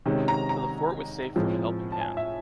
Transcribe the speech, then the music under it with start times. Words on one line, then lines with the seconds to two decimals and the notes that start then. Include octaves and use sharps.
So the fort was safe from a helping hand.
0.06 C3 D#3 G#3 C#4
0.28 A#5
0.49 A#5
1.36 A2 F3 G#3 C4
1.92 A5
2.01 G#5
2.17 E5